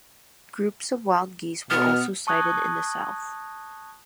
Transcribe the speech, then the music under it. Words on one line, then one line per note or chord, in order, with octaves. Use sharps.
Groups of wild geese were also sighted in the South.
B2 B3 F6
A5 C#6 D#6 F#6 G#6 A#6